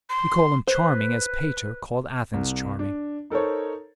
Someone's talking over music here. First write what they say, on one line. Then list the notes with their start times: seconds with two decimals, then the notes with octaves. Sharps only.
We call him charming as Pater called Athens charming.
0.09 C6
0.67 B4 C5
2.34 C2
2.79 D4
3.30 D#4 A4 A#4 C5 C#5